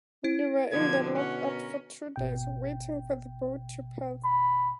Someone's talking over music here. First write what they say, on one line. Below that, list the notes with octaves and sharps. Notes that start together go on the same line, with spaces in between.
We were in the lock-up for two days waiting for the boat to Perth.
E4
B2 D3 F3 G#6
C#4 F#5
A#4
G#1 B2 G5
B5